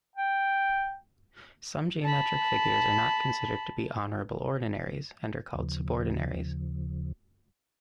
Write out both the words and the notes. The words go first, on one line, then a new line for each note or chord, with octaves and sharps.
Some geometric figures are not considered to be "honourable ordinaries" and are called "subordinaries".
G5
A5 B5
D#2 C#3 F3